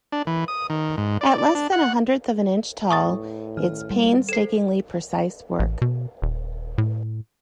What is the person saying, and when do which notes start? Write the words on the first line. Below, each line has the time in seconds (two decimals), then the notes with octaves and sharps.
At less than a hundredth of an inch tall, it's painstakingly precise work.
0.12 D4
0.27 E3
0.48 D#6
0.70 D#3
0.97 G#2
1.21 D5
1.38 D5
1.55 D4
1.72 F#5
2.90 A2 C#6 D#6 A6
3.57 D#3 F6
3.91 G3
4.29 A4 C5 C7 E7
5.59 A1
5.82 B2
6.22 D#1
6.78 A2